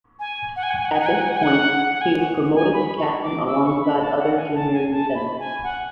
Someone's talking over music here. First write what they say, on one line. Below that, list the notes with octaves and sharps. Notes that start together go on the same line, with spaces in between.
At this point, he was promoted to Captain alongside other junior lieutenants.
G#5
F#5
G#5
F#5
G#5
F#5
G#5
F#5
G#5
F#5
G#5
F#5
G#5
F#5
F#5
G#5
F#5
G#5
B5
C#6
D6
E6
C#6
B5
A5
F#5
G#5
A5
G#5
A5
B5
G#5
F#5